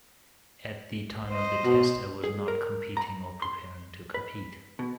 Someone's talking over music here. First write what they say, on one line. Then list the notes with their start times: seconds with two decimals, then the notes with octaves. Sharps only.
At the time of the test, I was not competing or preparing to compete.
1.29 C5 D#5
1.65 B2
2.24 G#4
2.48 A#4
2.97 A#5
3.42 C6
4.14 B4
4.79 B2